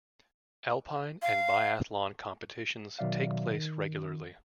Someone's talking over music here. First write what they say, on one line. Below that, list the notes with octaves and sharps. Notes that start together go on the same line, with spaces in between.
Alpine and biathlon competitions take place regularly.
F5
B2 D#3 F#3 D5 E5 F5
D#3